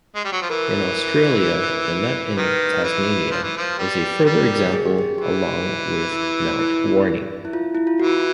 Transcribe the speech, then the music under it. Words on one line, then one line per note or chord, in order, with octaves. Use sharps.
In Australia, the Nut in Tasmania is a further example, along with Mount Warning.
G#3
G3
F#3
F3
E3 A#4
D#3 B4
E3
F3
E3
F3
G3
G3 A#4
G#4
G4
G#4
E3 G4
E4
E4
E4
F4
E4
F4
E3 F#4